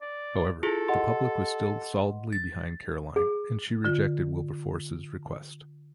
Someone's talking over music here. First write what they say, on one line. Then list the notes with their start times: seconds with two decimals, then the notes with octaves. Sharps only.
However, the public was still solidly behind Caroline, and she rejected Wilberforce's request.
0.01 D5
0.63 E4 F4 G#4 A4
0.88 G4 D#5 F#5 C6
2.33 A6
3.16 G#4
3.85 D3 F4